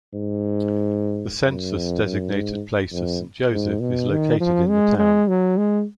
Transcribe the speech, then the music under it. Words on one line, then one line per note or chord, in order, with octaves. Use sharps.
The census-designated place of Saint Joseph is located in the town.
G#2
F#2
F2
F#2
G#2
F2
G#2
B2
D#3
F3
G#3
G#3
F#3
G#3